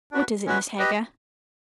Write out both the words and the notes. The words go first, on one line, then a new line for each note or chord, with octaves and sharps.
What is it, Miss Heger?
D4 F#4 B4
G#3 C#4 F#4 B4
G4 B4 D#5